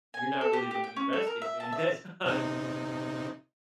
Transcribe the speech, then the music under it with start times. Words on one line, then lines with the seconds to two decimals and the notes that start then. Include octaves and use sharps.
you're not really gonna be resting during that time,
0.14 G#5
0.41 A4
0.53 G4
0.71 G4
0.84 G5
0.96 C#4
1.13 A4
1.27 A#4
1.42 E5
1.60 A5
1.72 E5
2.26 C3 D#4